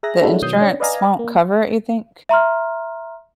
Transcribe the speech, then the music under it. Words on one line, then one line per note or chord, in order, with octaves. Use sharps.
The insurance won't cover it, you think?
G#4 E5 G#5 A#5 F#6 A#6
G#3 C#4 D4 E4 F#4 A4
B2 D#3 F#3 D#6 G6 C7
C#4 D4
B4 D5 D#5 F5 G#5 A#5
A#3
E5 A#5 C6 F6